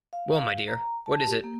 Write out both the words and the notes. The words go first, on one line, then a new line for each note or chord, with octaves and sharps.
Well, my dear, what is it?
F5
A#5
A5
G4
A#3